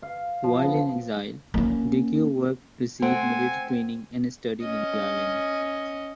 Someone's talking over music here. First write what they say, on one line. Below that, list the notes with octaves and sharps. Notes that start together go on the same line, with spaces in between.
While in exile, Dirceu worked, received military training and studied in the island.
F5
F3
B3
A#3 C#4
A3 C4 F#5 G#5
C#4 D#5